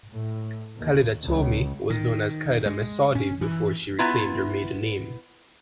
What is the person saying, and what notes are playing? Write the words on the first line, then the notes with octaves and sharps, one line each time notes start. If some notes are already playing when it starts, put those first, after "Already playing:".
Khalida Toumi was known as Khalida Messaoudi before she reclaimed her maiden name.
A2
D#2
C#2
D#3
G#3
C#4
E3
B3 E4 F4 B4 E5 A#5